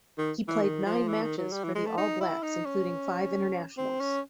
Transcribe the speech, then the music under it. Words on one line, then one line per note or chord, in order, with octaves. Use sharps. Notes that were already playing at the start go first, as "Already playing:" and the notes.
He played nine matches for the All Blacks including five internationals.
D#3
E3
D#3
F3
E3
D#3
F#3
G3
E3
G#3
A3
D#4
E4
D#4
C#4
C4
C#4